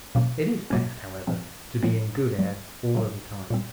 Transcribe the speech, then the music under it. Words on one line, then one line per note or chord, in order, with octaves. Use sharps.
It is best, however, to be in good air all of the time.
B2 F#3 A#3 C#4
B2 F#3 A#3 C#4
A#2 F3 G#3 C4
A#2 F3 G#3 C4
C#3 F#3 A3
C#3 F#3 A3
A#2 G3 C4